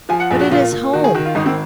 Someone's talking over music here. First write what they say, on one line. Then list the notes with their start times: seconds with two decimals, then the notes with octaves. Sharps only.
But it is home.
0.09 F3 G#5
0.20 F#5
0.30 A#1 G#4
0.40 F#4
0.51 A#2 F4
0.72 A#2
0.93 D#3 F#4
1.04 G#4
1.15 D#3 F#4
1.25 F4
1.35 G#1 D#4
1.46 C4